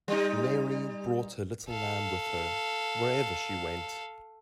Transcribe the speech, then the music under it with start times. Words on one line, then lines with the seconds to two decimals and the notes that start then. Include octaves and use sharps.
Mary brought her little lamb with her, wherever she went.
0.08 G3 D#4
1.69 A4 F5